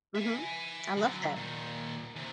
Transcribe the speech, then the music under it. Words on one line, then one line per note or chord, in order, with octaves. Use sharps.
Mhm, I love that.
E5 G#5
D3 F#3
A#2 D#3
C3 E3